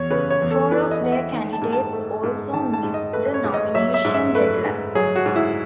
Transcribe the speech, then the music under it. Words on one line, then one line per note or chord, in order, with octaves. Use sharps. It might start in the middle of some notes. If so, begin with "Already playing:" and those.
Four of their candidates also missed the nomination deadline.
Already playing: E2 C#5
C#3 B4
C#5
E2
A4
E3 B4
D#5
E2 F#5
E5
D#3
A5
G#2
A5
A3
G#2
D#3 A5
A5
G#2
D#5
A3 B4
C#5
G#2
D#5
F#3 E5
E5
G#2
E5
A3 B4
G#2
F#3 G#4
F#4
G#2
E4